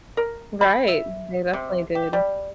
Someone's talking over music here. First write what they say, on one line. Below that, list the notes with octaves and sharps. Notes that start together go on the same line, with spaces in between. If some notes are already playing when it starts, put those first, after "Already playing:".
Right. They definitely did.
A#4
B5
E5
C3
G4
G3